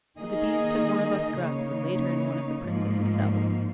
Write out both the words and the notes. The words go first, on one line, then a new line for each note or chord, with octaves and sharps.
But the Bees took one of us Grubs and laid her in one of the Princesses' cells.
D#3 A#3 D#4 G#4 D#5
C#3 A#3 D#4 C#5
G#2 F3 A#3